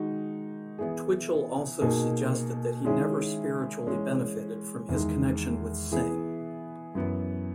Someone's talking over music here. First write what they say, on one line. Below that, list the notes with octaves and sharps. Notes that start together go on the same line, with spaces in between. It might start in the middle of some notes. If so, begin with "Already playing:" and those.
Twitchell also suggested that he never spiritually benefited from his connection with Singh.
Already playing: D#3 G#3 D#4 F#4
E3 B3 E4 G#4
B2 A#3 D#4 G#4
D#3 G#3 C#4 E4 G#4
E3 G#3 C#4
E2 D#3 G#3
E3 B3 E4 G#4
F#2 E3 B3